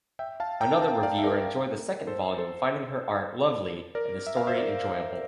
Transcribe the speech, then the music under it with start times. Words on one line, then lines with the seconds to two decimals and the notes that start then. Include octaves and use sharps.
Another reviewer enjoyed the second volume, finding her art "lovely" and the story enjoyable.
0.19 E5 G5
0.40 F5 A5
0.61 G5 A#5
0.82 F5 A5
1.03 D5 F5
1.19 E5
1.24 A#4 D5
2.07 A4 C5
2.38 A4 C5
3.95 A#4 D5
4.27 E5
4.37 F5
4.47 C5 E5
4.58 A#4 D5